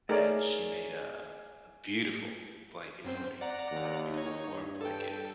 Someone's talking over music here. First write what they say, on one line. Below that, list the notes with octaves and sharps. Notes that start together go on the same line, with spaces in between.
and she made a a beautiful blanket for me, a beautiful warm blanket,
A3 D#4 G#4 A#4 C#5 D5
F#2 C4 C5
D5 F#5 A#5
D#2
D#4 C#5
G2
A4 G5